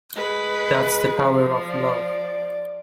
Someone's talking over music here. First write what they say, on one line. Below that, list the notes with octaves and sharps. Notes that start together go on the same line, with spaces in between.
That's the power of love.
G#3 B4
F3
D5